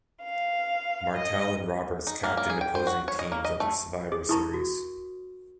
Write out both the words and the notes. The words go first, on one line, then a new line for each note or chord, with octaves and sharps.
Martel and Roberts captained opposing teams at the Survivor Series.
F5
D#5
D#4
A#3
A#3
G#4
G5
C5
F#4
C#5
D#5
A#3
D#5
A3
G#4 D6
E4 A#4 A5 A#5 C#6 D#6
F#4